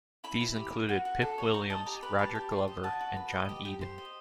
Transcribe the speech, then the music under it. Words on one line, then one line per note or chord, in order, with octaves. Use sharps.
These included Pip Williams, Roger Glover, and John Eden.
E4 B5
E4
G4
A#4
F#4
F#4
A4
C#5
D#4 A#5
D#5 A5
G4 A#5
B4 B5
G4 A5
G4
C5
D#5
F#4 A5
F#4
B4
D#5
G4
G4
C5
D#5